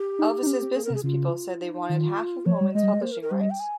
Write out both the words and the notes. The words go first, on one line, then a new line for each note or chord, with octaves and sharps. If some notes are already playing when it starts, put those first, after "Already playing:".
Elvis's business people said they wanted half of Moman's publishing rights.
Already playing: G4
D#4
D#4
C#4
C4
A#3 G#4
A#4
C3
G#4
C#3 F4
D#4
D#3 F4
F3 C#5
G3
G#3 D#5
G3
G#3
A#3 C5
A#4
A#4
G3 C5
D#5
G5
G#5